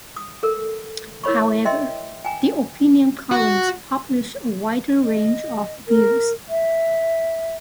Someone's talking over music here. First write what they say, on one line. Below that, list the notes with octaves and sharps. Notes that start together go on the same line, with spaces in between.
However, the opinion columns publish a wider range of views.
D#6
A4 A#4
E4 A#4 C#5 B5 C#6
A#4 D#5 E5 G5 C6
G5 G#5 A#5
F#4
D#5
A#4
E5